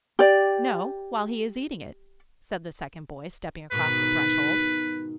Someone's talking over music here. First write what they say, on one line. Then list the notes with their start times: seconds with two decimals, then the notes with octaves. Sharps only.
'No, while he is eating it,' said the second boy, stepping across the threshold.
0.19 G4 D5
3.72 G#2 B2 D#3 B4